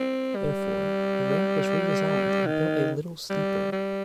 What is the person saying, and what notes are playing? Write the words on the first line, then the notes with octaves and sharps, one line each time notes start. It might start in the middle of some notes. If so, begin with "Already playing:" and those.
Therefore, the ramp was redesigned and built a little steeper.
Already playing: C4
G3
D#3
G3
G3